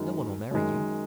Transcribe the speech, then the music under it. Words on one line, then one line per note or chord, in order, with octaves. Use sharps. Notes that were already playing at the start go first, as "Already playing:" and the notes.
No one will marry you.
Already playing: F#2 D#3 G#3
F#2 D#3 G#3